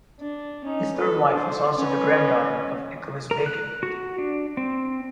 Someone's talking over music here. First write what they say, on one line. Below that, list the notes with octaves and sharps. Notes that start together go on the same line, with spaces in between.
His third wife also was the granddaughter of Nicholas Bacon.
D4
C#4 D#4
A4 B4
D4 C5
C#4 B4
A#4
F#6
F#4
D4
C4